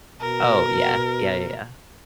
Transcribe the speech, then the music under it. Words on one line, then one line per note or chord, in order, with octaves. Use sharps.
Oh, yeah, yeah, yeah, yeah.
B2 A#4